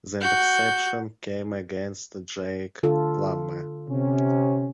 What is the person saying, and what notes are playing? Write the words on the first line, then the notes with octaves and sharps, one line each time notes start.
The interception came against Jake Plummer.
F#4 G6
D3 F4 A4
C3 C#4